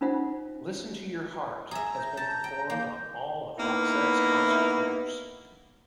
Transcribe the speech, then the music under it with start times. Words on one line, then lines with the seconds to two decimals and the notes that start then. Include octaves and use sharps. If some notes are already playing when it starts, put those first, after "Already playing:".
"Listen to Your Heart" has been performed on all of Roxette's concert tours.
0.01 C#4 D#4 F4 C5 E5 F#5
1.71 G#4 E5 A#5
1.99 G6
2.17 A5
2.44 G5
2.70 A#3 G6
3.58 A#3 B3 D#4 E4